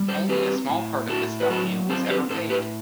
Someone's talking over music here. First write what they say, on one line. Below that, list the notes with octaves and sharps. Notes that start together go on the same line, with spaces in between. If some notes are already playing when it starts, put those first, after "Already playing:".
Only a small part of this value was ever paid.
Already playing: G3
A4 C5
C4 G4 B4
A2
A2 F#4 A4
B4
F#3 F#4 A4
C4 A4 C5
C5
G4 B4
A2 A4 C5
G4 B4